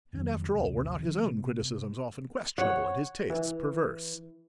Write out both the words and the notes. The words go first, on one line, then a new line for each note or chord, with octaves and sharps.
And after all, were not his own criticisms often questionable and his tastes perverse?
F2 D#3 E3 F#3
A1 D#2 C3
D#3 F3 C4
C3 B3
C#5 F#5
E3